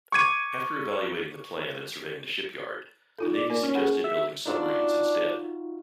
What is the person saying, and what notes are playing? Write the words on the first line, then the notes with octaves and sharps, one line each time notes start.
After evaluating the plan and surveying the shipyard, the Navy suggested building submarines instead.
C#6 D6 G#6 D#7
D#4 F4 A4
D5
A#3 A#4
C#4
G#4 A4 F#5
E5
D4 D#4 F4 F#4